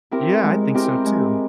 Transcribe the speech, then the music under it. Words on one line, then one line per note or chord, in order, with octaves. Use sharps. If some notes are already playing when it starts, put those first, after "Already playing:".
Yeah, I think so too.
C4 E4 G4 A#4
G#3
C4 E4 G4 A#4
G#3